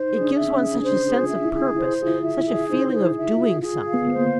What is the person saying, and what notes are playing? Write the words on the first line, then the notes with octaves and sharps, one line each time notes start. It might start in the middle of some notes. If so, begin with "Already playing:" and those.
"It gives one such a sense of purpose, such a feeling of doing something."
Already playing: D#4 C5
G#4
D4
E5
C#4
G#4
D4 C5
G#4
F4
E5
E4
G#4
E4 C5
F4 G#4
E4
E5
E4
G#4
D#4 C5
G#4
E4
E5
F4
G#4
F4 G#4
F5
B3
B3 C5
A#3